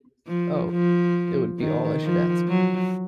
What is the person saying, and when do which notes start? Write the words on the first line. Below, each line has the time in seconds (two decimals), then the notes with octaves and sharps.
Oh, it would be all I should ask!
0.27 F3
0.71 F3
1.59 D#3
2.04 F3
2.48 F#3